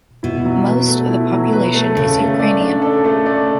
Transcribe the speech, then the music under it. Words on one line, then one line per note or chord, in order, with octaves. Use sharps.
Most of the population is Ukrainian.
B2 E4
F#3
B4
A3
E4
F#3
B4
A3
C#3 A4
A3
D5
D4
A4
A3
D5